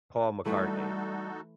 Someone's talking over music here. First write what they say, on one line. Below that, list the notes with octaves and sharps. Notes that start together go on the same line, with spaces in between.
Paul McCartney.
E3 G3 A3 D#4 F#4 A4